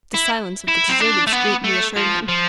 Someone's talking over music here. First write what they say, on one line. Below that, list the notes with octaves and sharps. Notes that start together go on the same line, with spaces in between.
The silence of the deserted street reassured him.
E4
E4
C4
D4
A3
B3
A3
F3
F3